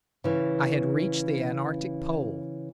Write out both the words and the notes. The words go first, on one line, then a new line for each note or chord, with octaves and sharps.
I had reached the antarctic pole.
C#3 E3